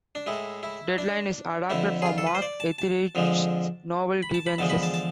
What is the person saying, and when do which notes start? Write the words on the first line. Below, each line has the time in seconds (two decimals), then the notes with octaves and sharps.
Deadline is adapted from Mark Ethridge's novel Grievances.
0.15 D4
0.27 A2 G#3 E4
0.63 E4
0.98 D4
1.70 F2 D3 A3 E4
2.02 G#4
2.06 F4
2.18 A4
2.27 B4
2.35 C5
2.42 D5
2.60 A5
2.78 A5
3.15 F2 D3 F3 G#3
4.23 B5
4.34 A5
4.46 B5
4.58 E2 D3 F3 G#3 A5
4.70 B5
4.83 A5
4.94 A5